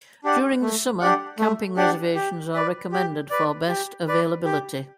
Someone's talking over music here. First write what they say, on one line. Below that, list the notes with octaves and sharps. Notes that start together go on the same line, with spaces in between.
During the summer, camping reservations are recommended for best availability.
D4 G4 D5 F#5
A3
D4 G4 D5 F#5
A3
D4 G4 D5 F#5
G4
B4 D5
G4
B4 D5
G4
B4 D5
G4